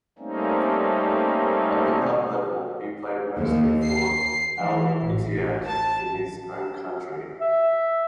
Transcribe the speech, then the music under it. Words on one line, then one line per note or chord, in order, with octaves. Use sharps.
At the club level, he played mostly for Al-Ittihad in his home country.
G3 A3 A#3 C4 C#4 D#4
D#2
C7
E3
A1
A5
E5